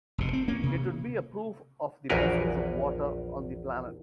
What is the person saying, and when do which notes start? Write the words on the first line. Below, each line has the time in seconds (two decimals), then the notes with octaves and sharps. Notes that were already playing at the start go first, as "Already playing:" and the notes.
It would be a proof of the presence of water on the planet.
0.18 F1 B2
0.33 C4
0.48 A#3 C#4
0.63 C3
2.10 A#1 E2 F#4 G#4 A#4 B4